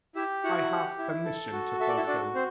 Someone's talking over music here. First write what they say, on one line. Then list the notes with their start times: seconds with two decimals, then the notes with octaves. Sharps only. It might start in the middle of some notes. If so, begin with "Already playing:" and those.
I have a mission to fulfill.
0.15 E4 G4 E5
0.44 E4 F#4 F#5
0.71 G4
0.98 E4
1.25 A4
1.52 F#4
1.80 A4 E5
1.88 D5
1.97 E4 E5
2.07 D4 F#4 D5
2.34 C4 C5